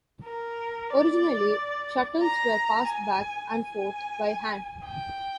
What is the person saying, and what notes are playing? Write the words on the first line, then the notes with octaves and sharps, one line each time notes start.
Originally shuttles were passed back and forth by hand.
A#4
D5
A#5
G#5
G#5
G5